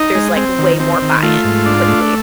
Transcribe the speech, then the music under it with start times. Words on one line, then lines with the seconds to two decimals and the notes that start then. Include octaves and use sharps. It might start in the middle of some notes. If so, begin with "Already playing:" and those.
there's, like, way more buy-in, quickly.
Already playing: D#4
0.15 G#3
0.36 C4
0.58 D#3
0.80 C4
1.02 D#3
1.23 A3 F4
1.44 G#2
1.66 D4
1.88 A3